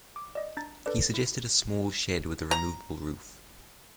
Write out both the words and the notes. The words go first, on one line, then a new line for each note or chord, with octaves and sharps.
He suggested a small shed with a removable roof.
D6
D5 D#5
D4 A#5 A6
D4 A4 B4 D5
E4
A#5